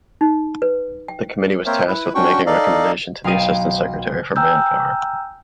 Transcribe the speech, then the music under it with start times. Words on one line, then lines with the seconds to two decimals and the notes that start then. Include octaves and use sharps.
The Committee was tasked with making recommendation to the Assistant Secretary for Manpower.
0.21 D#4
0.62 B4
1.08 G5
1.66 A#3 C4 A#4 C5 C#5 E5
1.88 E4 B4
2.15 C#4 D4 F#4 G5 C#6
2.46 D#4 A4 D5 D#5 F5
3.24 B1 F5 G5 D#6 D7 D#7
4.36 G5 G#5 A#5 E6 F6 G6